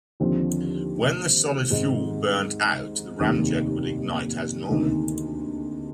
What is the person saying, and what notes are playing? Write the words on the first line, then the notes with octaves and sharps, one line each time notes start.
When the solid fuel burned out the ramjet would ignite as normal.
D#2 D3 F3 C4
G#2 D#3 G#3 C4
F1 D#2 D#3 A#3
D2 C3 D#3 A#3 D#4